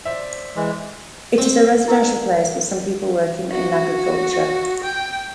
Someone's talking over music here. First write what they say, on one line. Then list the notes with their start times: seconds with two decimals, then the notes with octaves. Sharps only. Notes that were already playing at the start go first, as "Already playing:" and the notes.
It is a residential place with some people working in agriculture.
0.05 C5 D5 E5
0.56 E3 G#3
1.38 C4
1.88 E4 G4 A#4 B4 D5 G#5
3.52 F#4
4.84 G5